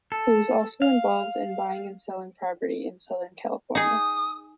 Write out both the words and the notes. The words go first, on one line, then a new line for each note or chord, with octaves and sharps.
He also was involved in buying and selling property in Southern California.
A4
F5
D#4 G#4 D#6